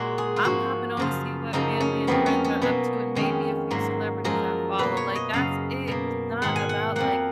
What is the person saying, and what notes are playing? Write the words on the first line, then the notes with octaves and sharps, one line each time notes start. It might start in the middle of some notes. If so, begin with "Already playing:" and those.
I'm hopping on to see what family and friends are up to and maybe a few celebrities I follow, like, that's it. It's not about, like,
Already playing: A#2 G#3 F#4
G#4
F4
G#2 F3 A#3 F#4
F#2 C#3 F3 F4
F#2 C#3 F3 A#3 D#4
C#4
F2 F3 A#3 B3
C#4
C#4
B2 F#3 A#3 B3
F2 D#3 G#3 C#4
G#2 F#3 A#3
F#2 F3 G#3 A#4
B2 A#3 B4
C#5
D#5
F#2 C#3 F#3 F5
B2 A#3
G#2 D#3 G#3 F#5
G#5
F#5
F2 F3 A#3 F#5